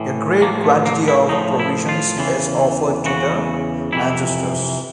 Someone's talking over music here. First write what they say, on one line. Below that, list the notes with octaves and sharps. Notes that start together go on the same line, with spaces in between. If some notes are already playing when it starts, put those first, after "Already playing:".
A great quantity of provisions is offered to the ancestors.
Already playing: A2 E3
A2 F3 A#3
A3
A#3
E4
A2 F3 D#4
E4
F4
E2 C#3 E3
E2 C#3 E3 F#4
F2 C3 E3 E4